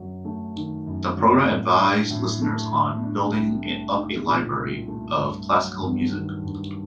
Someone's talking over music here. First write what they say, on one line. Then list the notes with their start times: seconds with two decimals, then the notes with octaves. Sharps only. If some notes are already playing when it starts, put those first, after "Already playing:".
The program advised listeners on building up a library of classical music.
Already playing: F#2 F#3
0.25 A3
0.56 D#3
0.87 F#2
1.17 F#3
1.48 A2
1.80 D4
2.10 A2
2.41 A3
2.72 A2
3.03 D4
3.34 C2
3.65 A3
3.96 D#4
4.26 A#2
4.58 C2
4.88 A3
5.19 G2
5.50 F#3
5.81 G2
6.12 D#3
6.43 G2